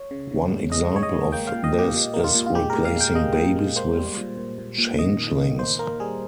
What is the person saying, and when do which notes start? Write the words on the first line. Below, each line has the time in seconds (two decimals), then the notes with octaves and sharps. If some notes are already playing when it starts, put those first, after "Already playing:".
One example of this is replacing babies with changelings.
Already playing: C#5
0.11 C#3
0.31 C#3
0.51 G#3
0.72 G#3 D#5
0.92 G#3 C#5
1.03 D#5
1.12 G#3
1.32 A#3 G5
1.47 F5
1.53 A#2
1.64 D#5
1.74 A#2 G4
1.94 A#2
2.14 A#3
2.24 F4
2.35 A#2
2.46 F4
2.55 G#3 G4
2.70 A#4
2.76 A#2
2.85 F5
2.96 G#3 G5
3.15 G#3 D#5
3.35 A#2
3.56 G#3
3.76 A#3 C5
3.97 G3
4.17 A#2
4.37 A#2
4.58 A#2
4.78 A#2
4.98 D#3 D#5
5.18 D#3
5.38 A#3
5.59 A#3 C5
5.79 A#3 A#4
6.00 G3 G#4